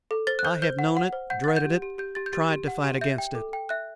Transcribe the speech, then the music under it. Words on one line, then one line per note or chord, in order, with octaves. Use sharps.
I have known it--dreaded it--tried to fight against it.
A4
C5 A6
F#6
C5 G6
C5 G6
F#5
F#5
C5
F#5 G6
F#5 A6
G6
G4
G4
G4 G6
G4 A6
G6
G4 A6
G4
F#5
G4
E5 G6
G5
A4
G5
E5 F#6